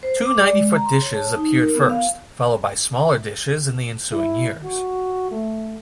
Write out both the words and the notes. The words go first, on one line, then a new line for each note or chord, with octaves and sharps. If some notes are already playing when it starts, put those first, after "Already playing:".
Two ninety-foot dishes appeared first, followed by smaller dishes in the ensuing years.
C5
D6
D5
G#3
A#5
C6
C#5
A5
D#4
A#4
B3
F5
E4
F#4
A3